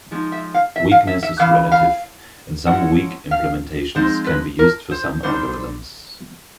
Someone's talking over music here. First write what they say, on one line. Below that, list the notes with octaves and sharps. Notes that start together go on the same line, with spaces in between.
Weakness is relative, and some weak implementations can be used for some algorithms.
F3 G#3 C4 D#4
E5
F5
E5
F5
E5
E5
C#3 E3 F5
F5
F3 G#3 C#4 E4 F#5
F5
F3 G#3 C4 D#4 C5
B4
A#4
C5
D3 G3 B3 D#4 C5